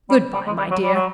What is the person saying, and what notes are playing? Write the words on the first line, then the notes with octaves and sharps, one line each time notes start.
Good-by, my dear.
G3
G3
G#3
G3
F#3
G3
F#3